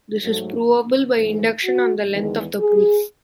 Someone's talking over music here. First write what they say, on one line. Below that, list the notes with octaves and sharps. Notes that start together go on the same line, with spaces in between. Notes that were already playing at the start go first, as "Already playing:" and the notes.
This is provable by induction on the length of the proof.
G#2 F#3 A3 A4
G#2 E3 A3
F#4
E2 D#3 G#3
G#4